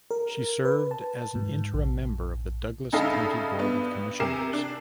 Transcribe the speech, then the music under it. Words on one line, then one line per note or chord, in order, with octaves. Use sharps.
She served as an interim member of the Douglas County Board of Commissioners.
A#4
B4
A5
G#2
A#1
G2 C#3 D#4 A4 E5 F5
G2 B3
C3 G4 A#4 G#5 C7 E7
D4